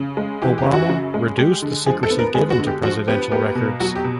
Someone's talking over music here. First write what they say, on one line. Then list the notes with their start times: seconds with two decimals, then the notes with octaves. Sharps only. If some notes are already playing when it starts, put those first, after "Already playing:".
Obama reduced the secrecy given to presidential records.
Already playing: C#3
0.17 G#3
0.42 E3 G4
0.58 G4
0.65 F#2
0.73 F#4
0.90 C#3
1.14 G#3
1.38 G#3 G4
1.62 D3
1.86 F3 G#4
2.03 A4
2.10 B3
2.19 A#4
2.34 G#3 G#4
2.50 F#4
2.59 D3
2.67 G4
2.83 F3 F#4
3.08 B3 G4
3.32 A#3 G4
3.55 B2
3.80 F#3 F#4
3.95 G4
4.04 B2